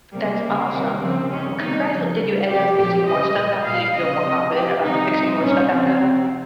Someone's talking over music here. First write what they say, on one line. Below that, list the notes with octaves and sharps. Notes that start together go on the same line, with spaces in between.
That's awesome. Well, congratul did you end up fixing more stuff out? Did you feel more confident about m fixing more stuff after that?
C3 G3 A#3
C#3 G3
C3 D#3 G3
C#3 F3 C4
C3 D#3 G3 C#4
C3 D#3 G3 D#4
C#3 F3
C#3 G3
C3 F3 G4
A#2 F3 G4
C#3 G3 D#5
A#2 G3
A#2 G3 F5
C#3 F3 D#5
C3 F3
A#2 F3 G4
C3 D#3 G3 D#4
C3 G3
A#2 G3 C#4
C#3 F3 C4
C3 F3